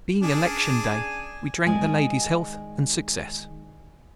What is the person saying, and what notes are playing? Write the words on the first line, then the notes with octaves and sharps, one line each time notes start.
Being election day we drank the Ladies health and success.
C#4 D4 G#4
G#5
D#3 G#3 D5 G#5